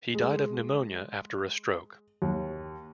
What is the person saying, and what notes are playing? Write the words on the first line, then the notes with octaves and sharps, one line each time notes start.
He died of pneumonia, after a stroke.
G#3
D#2